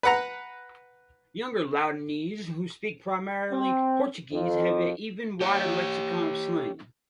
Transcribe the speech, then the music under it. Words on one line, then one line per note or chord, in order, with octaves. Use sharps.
Younger Luandese, who speak primarily Portuguese, have even a wider lexicon of slang.
B4 F#5 A#5
C4
F2
G4 C#5